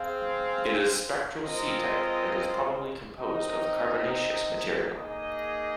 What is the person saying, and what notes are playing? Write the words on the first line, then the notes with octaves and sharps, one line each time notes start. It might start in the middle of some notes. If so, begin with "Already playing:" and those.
It is spectral C-type and is probably composed of carbonaceous material.
Already playing: C4 G#4 F5
G#3 C4 F4 A#4 D#5
C4 D#4 A#4 D#5
A#3 D#4 G#4 D#5